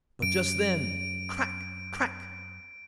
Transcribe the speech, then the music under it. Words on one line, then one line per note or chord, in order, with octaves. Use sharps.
But just then--crack! crack!
F#2 D7